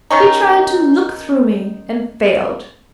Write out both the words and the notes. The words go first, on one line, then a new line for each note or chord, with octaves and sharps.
He tried to look through me, and failed.
D#3 C#4 D#4